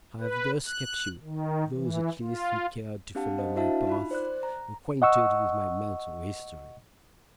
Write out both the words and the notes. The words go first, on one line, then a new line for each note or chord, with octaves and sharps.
I have thus kept you, those at least who cared to follow my path, acquainted with my mental history.
B4
F#6
D#3
E3
F4
C4 D4 G4 F5 F#5 A5
C5 D#5
D4 E4 F#4 E5 F5 A5
D#4 F4 B5
C5 D5 F#6
A#5
D#5 F#5 C#6 E6